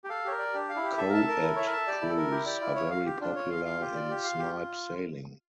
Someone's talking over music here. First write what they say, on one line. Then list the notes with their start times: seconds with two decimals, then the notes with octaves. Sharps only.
Co-ed crews are very popular in Snipe sailing.
0.04 G4
0.09 A4 F5
0.25 G4 C#5
0.32 A#4
0.39 D5
0.53 D4 G4
0.69 F5
0.76 E4
0.83 G4
0.98 A4 E5
1.09 A#4 A5
1.21 A4
1.28 A#4
1.42 E4
1.56 C#5 E5
1.66 A#4
1.72 A5
1.77 A4
1.87 G4 D5
2.01 E4
2.09 A4
2.17 A#4
2.31 E4 G4
2.46 G4 D5
2.61 E4 F4
2.75 C#5
2.91 F5
3.05 G4
3.21 D4 F4
3.35 C#5
3.50 F5
3.64 F5
3.80 G4
3.95 D5
4.10 G4
4.24 F5
4.39 G4